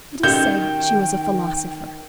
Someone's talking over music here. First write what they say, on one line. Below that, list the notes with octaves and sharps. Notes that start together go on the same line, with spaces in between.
It is said she was a philosopher.
D#3 C#4 F#4 G4 G5 G6